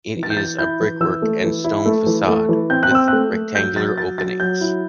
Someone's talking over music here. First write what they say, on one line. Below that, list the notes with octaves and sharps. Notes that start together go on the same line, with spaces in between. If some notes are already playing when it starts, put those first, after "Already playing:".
It is a brickwork and stone façade with rectangular openings.
E3
A6
G6
E3 A6
E4 G6
E3
E3 E6
A3
E3
E4
A3
E3
A3
E3
C4 G6
F#6
C4 E6
A3 F#6
A3
F#3 G6
F#3 A6
F#3 A6
F#3 A6
F#3 G6
E4